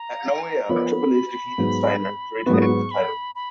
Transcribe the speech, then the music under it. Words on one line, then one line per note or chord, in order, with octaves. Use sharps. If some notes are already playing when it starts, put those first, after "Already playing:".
At No Way Out, Triple H defeated Steiner to retain the title.
Already playing: A#5
F3 B3 F4 A#4 C#5 B5
G#2 F#3 B3
G#2 F#3 B3 C#6 D#6
C#6
B5
B5